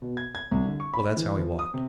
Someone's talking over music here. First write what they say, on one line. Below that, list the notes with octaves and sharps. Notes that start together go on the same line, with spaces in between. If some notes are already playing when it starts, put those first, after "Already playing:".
Well, that's how he walked.
B2
G#6
G#6
C2
D3
C#6
B5
E3
F3
D#6
C3